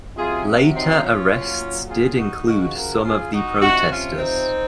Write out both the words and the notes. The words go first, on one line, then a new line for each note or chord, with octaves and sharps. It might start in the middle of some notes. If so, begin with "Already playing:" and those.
Later arrests did include some of the protestors.
C3 F#3 F4 G#4
C4 D#4
C#4 F4
A#2 F#3
F4 G#4
D#4 F#4
C#3 F3 D#4 F#4
F#4 A#4
F4 G#4
D#4 F#4
C3 F3 D#4 F#4
C#4 F4
C4 D#4